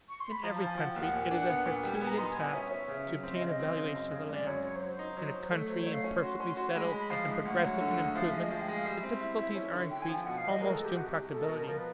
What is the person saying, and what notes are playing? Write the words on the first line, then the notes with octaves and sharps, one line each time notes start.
In every country it is a herculean task to obtain a valuation of the land; in a country imperfectly settled and progressive in improvement, the difficulties are increased almost to impracticability.
C#6
C6
B5
F3 A#5
A5
F3
G#5
F3 F#5
G5
D#2
F#5
A#2
D4
B3
A#2
G3 G5
G#5
B3
A#5
D#4 C6
G#5
B3
G#5
C#4 E5
C#4
C#3
F#3
C4 E5
D#5
C#3
D#5
C4
C#3
F#2
C#3
G#3 D5
F#2 C#5
F#3 C#5
C5
F#3
C5
D#4
F#3
F#3
A3
F#3 C5
C#5
A3
F5
C#4
F#4 C6
C#4 C6
F#4 C6
G#3 B5
B5
G#3
B5
F3 F5
G#2 E5
D2 F#5
F#3
D3
D2
F3 F5
E5
G#3 D#5
F3 F5
G5
G#3
F5
G3 E5
E5
C4
E5
E4
E4
C#4
D3
D3 G5
G#5
F3
G5
B2 F#5
F5
E2
D#5
G#3 A#4
A4
G#3
G4
C2 F#4
G4
C2
B2 A4
A#4
B2
A#4
F3 A#4
B4